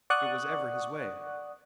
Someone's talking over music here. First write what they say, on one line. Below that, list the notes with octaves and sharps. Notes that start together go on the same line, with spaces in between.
"It was ever his way."
D5 F#5 C#6 D#6 F#6